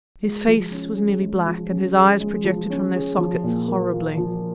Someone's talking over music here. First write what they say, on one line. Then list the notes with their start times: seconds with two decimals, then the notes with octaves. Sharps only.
His face was nearly black, and his eyes projected from their sockets horribly.
0.23 G#3
0.47 F3
0.71 C#4
0.97 G#4
1.21 G#3
1.46 F3
1.70 C#4
1.95 G#4
2.20 G#3
2.44 F3
2.70 C#4
2.95 G#4
3.18 F3
3.43 A#2
3.68 A#3
3.92 F4
4.17 F3